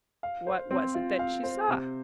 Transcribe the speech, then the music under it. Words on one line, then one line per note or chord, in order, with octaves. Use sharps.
What was it that she saw?
F5
C5
C4
F4
F5
C5
C3